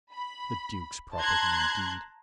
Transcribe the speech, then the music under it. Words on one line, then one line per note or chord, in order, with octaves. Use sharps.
The Duke's property, indeed!
B5
A5 A#5 C6 F#6 G#6